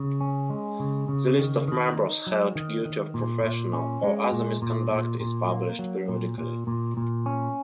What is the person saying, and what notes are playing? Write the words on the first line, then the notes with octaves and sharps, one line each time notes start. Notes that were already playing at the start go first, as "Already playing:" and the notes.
The list of members held guilty of professional or other misconduct is published periodically.
Already playing: C#3
C#4
G#3
C#3
C#3
D#3
D#3
D#4
F#3
D#3
D#3
A#2
A#2
C#4
G#3
A#2
A#2
A#2
A#2
A#3
F#3
A#2
A#2
A#2
A#2
C#4